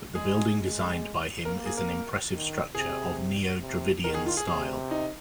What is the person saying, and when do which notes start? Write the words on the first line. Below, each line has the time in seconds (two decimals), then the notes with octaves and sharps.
But the building designed by him is an impressive structure of Neo Dravidian style.
0.15 G#3 G#4
0.58 G#3
1.44 A#3 A#4
1.66 G#4
1.77 A#4
2.31 D#3
2.74 C3 G#4
3.61 C3
4.04 D#3 A#4
4.15 G#4
4.26 F4
4.37 G#4
4.47 C3 G#4
4.91 D#4